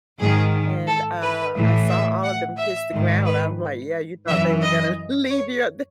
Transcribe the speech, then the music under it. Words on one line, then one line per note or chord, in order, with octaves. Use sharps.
and, uh, I saw all of them kiss the ground. I'm like, "Yeah, you thought they were gonna leave you up there."
G#2 D#3 G#4
A4
B4
A2 E3
E5
F#5
E5
G#2 D#3
B4
F#2 E3 E5
D#5
C#5